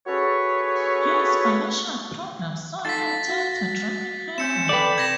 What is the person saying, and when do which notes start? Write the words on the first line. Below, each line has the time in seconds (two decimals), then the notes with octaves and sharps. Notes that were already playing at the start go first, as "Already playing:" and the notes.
His financial problems saw him turn to drinking heavily.
0.07 C#4 F#4 G#4 A4 B4 C#5
2.85 D#4 F4 A4 A6 B6
3.28 F#4
4.38 C4 C#4 G6 C#7 E7
4.69 A4 B4 D5 F#5 G5
4.98 C3 G#6 A#6 E7